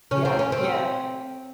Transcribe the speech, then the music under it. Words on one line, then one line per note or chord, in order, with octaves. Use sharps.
Yeah. Yeah.
C#3 C#4
C4
C#4
C4